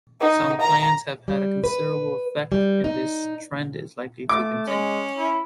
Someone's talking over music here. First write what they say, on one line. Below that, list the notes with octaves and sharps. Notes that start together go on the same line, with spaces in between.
Some plans have had a considerable effect, and this trend is likely to continue.
D#4
A#5
G3
B4
G3
D#4
A3 D6
G#3 C#4
E4